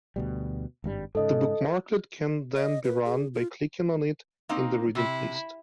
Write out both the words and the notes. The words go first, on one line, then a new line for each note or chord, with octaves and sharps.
The bookmarklet can then be run by clicking on it in the reading list.
D2 B2 G3
G#1 G2 G3
G#2 C#3 A4 D#5
D#5
B4
G#4
F4
A#3 C4 D#4
C3 E4